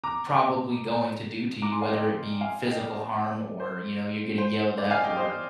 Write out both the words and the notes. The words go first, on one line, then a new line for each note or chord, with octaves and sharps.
probably going to do to you, whether it be physical harm or, you know, you're getting yelled at or,
A#5 D6
A#5 D6
G#5 C6
D5 F5
D#5 G5
F5 G#5
D#5 G5
D5
C5
C5
D5
F5 G#5
D#5 G5
C5 D#5